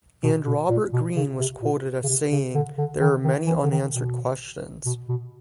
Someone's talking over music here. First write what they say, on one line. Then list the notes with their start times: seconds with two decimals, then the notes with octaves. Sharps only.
And Robert Green was quoted as saying There are many unanswered questions.
0.24 B2
0.47 B2
0.70 A#2
0.93 B2
1.16 C#3
1.39 C3
1.62 A#2
2.04 C#3
2.09 C3
2.32 C#3
2.55 D3
2.78 D3
3.01 D#3
3.24 D#3
3.47 E3
3.64 D3
3.71 D#3
3.93 B2
4.86 B2
5.09 B2